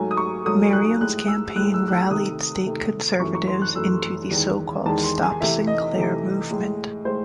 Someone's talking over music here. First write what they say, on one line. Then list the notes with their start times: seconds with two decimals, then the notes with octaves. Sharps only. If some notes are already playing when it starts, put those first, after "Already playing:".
Merriam's campaign rallied state conservatives into the so-called "Stop Sinclair" movement.
Already playing: G#2 F#3 A3 G#5
0.11 D#6
0.17 C#6
0.45 G#2 F#3 A3 D#6
0.73 F#6
1.01 A2 G#3 F#6
1.28 E6
1.55 A2 G#3 F#6
1.74 E6
1.88 F#6
1.92 E6
2.10 C3 D#3 A3 D#6
2.65 C3 D#3 A3
3.20 F#2 E3 A3 C#6
3.35 C#6
3.47 C6
3.62 F#6
3.75 F#2 E3 A3 E6
4.31 E2 D#3 G#3
4.86 E2 D#3 G#3 A5
5.03 C6
5.23 G#5
5.41 C3 E3 A3 E5
5.67 D#5
5.95 C3 E3 A3
6.51 A2 G#3
7.05 A2 G#3 C5